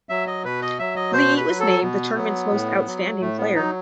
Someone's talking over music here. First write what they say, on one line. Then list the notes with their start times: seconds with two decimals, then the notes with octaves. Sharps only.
Lee was named the tournament's most outstanding player.
0.09 F#3 E5
0.27 D#5
0.45 B2 B4
0.62 D#5
0.79 F#3 E5
0.96 D#5
1.13 B2 C5
1.37 B4
1.49 F#3
1.60 A4
1.83 B2 B3
2.18 F#3
2.52 A2
2.87 F#3
3.21 A2 A3
3.38 B3
3.55 F#3 D#4